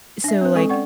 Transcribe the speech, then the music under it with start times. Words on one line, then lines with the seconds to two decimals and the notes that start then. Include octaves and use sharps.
so, like,
0.24 D4 E5
0.41 C4 B4
0.55 G#3 C4 A4 G#5 C#6
0.69 C#4 D5 F#5 C#6